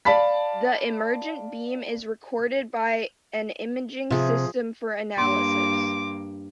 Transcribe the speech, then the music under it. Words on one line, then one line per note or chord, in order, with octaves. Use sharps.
The emergent beam is recorded by an imaging system for analysis.
D5 F5 A5 B5 B6
C3 F3 G#4
G2 A#3 C6 D6